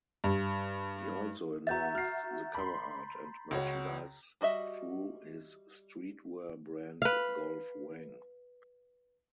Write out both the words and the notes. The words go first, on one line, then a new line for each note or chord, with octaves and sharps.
He also announced the cover art and merchandise through his streetwear brand Golf Wang.
G2
F#4 E5 A#5 G6 A6
F6 C7
B5 C6
C#2 F#4 C#5
G3 F#4 D#5 E5
B4 F5